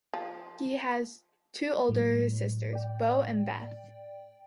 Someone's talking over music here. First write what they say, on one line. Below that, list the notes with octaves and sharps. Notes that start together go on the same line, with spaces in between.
He has two older sisters, Bo and Beth.
F3
A2 F#3 G#3
D5 G5